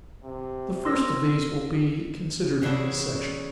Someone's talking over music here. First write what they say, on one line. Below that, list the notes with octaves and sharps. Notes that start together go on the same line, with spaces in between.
The first of these will be considered in this section.
C3
C4 G#4 A#4 C6 E6 A#6
C#3 E3 D4 E4 F#4